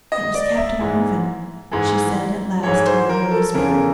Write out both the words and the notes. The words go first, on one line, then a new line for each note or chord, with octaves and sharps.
"It was Captain Mervyn," she said, at last, in a low whisper.
D#5
D5
E5
G#2 E3
G#2 E3
G#2 E3 C#5
C5
A#4
A4
E2 C#3 E3 A#4